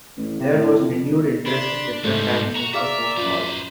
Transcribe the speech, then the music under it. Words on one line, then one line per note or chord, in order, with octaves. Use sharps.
There was renewed interest at different times since the first call.
A1
C3
A2
F2
E1
D4 B5 C6
G#2 G3 A3 D#4 C5
F#4 A#5
G#4 D5 E5 F5 D6
F#2 F3 B4 C5